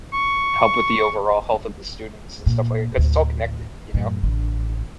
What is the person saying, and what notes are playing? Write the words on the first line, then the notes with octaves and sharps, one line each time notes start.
help with the overall health of the students and stuff like 'cause it's all connected, you know?
C#6
A#2
D2 A2
F#2 A2
A1 D3